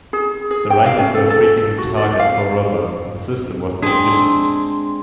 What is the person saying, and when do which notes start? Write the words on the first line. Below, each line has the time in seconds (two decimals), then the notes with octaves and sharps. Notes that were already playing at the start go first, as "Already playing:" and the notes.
The riders were frequent targets for robbers, and the system was inefficient.
0.13 G#4
0.51 G#4
0.70 G5
0.86 F5
0.99 C#4
1.14 A4
1.30 A4
1.78 F#4
1.97 D5
2.20 F5
3.83 G#3 C4 D4